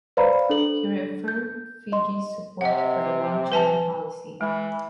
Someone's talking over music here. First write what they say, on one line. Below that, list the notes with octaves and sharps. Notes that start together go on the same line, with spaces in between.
He reaffirmed Fiji's support for the One China policy.
B4 C5 D5 F5 A#5 B5
D4 A4 F#7
G6
D#5 C6
C3 D#5 F#5
B4 G#5 A5
E3 G#3